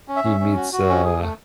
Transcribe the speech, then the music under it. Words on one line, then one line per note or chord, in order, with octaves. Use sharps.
he meets, uh
C#4
E5
C#4
C#4
F#4
F#4
C#4
G#4
A3